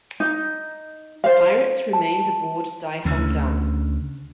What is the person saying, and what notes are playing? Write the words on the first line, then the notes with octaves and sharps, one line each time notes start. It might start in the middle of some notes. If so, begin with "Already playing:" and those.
The pirates remained aboard "Dai Hong Dan".
D#4
C5 F5
A5
D2 C#3